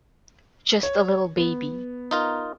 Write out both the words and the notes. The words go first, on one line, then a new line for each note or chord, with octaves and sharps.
Just a little baby.
C#5
B3
D#4 F4 A#4